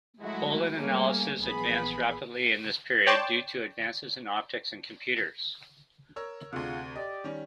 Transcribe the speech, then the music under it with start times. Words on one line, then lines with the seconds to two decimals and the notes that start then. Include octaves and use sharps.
Pollen analysis advanced rapidly in this period due to advances in optics and computers.
0.22 F#3 G#3 A3 E4 F#4
0.76 G3 A3 A#3 C#4 G#4
1.40 A#1 E3 B3 G#4 B5
3.06 C#5 D5 G5 A5 C6 D6
6.16 A#4 C#5 E6
6.53 D2 C3 F4 G#4 F#5
6.96 G4 D5 D#5
7.24 D#3 G3 C#4